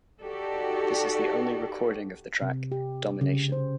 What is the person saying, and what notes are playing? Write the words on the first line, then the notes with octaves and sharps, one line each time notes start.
This is the only recording of the track "Domination".
D#4 F#4 G4 A4 D5
C3
G4
C#3
C5